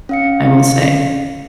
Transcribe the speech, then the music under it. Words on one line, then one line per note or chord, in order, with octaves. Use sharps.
I will say.
C#4 F5 C#7